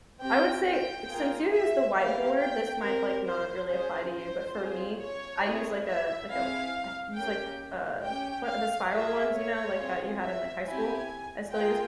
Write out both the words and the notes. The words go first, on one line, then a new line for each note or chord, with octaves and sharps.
I would say since you use the whiteboard this might like not really apply to you but for me, I use, like, a like, a I use, like, uh, what the spiral ones, you know, like, that you had in, like, high school. I still use
C4 G4 G5
G5
A#3 F4 G#4
E5
A#3 E4 G4 F5
G5
C4 G4 A#4
C5
C#4 F4 G#4 C5
C5
C4 F4 G#4
C#5
C4 E4 G#4
E5
C4 E4 G#4 F5
A#3 C#4 G4 G5
C#4 G4 G5
F5
A#3 F4 G#4 E5
C#5
C4 F4 G#4
E5
C4 E4 G4 G#5
A#3 F4 G#4 G5